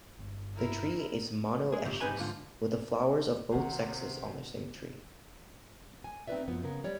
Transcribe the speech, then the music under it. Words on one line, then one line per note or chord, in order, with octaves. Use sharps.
The tree is monoecious, with flowers of both sexes on the same tree.
G1
E4 A#4
G#3 G#4
G2 A#2 C#3 G3
G2 C4 D#4 B4 G#5 B5
G#2 D3 F4
A#1 C3 D#3 F#4 A#4 F#5
G#5
C4 D#4 F4 B4 D5 E5
F#2 F3 B3
C#3 B3 A#4
G3 C#5 D5